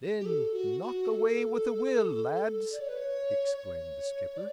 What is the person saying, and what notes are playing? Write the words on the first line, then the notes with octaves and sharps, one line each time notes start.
"Then knock away with a will, lads!" exclaimed the skipper.
G4
A4
F#4
F#4
A4
D5
C#5
B4
C#5
C#5
D5